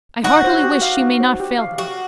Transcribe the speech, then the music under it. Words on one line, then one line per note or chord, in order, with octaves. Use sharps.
I heartily wish you may not fail them.
D#4 F#4
C5
G4
F5
D#4
C5
G4
F5
F#4 G4